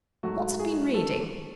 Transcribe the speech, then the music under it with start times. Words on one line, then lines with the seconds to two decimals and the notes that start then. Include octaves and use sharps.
What's it been reading?
0.23 G#2 F#3 A3 F#4
0.59 G#4
0.94 A4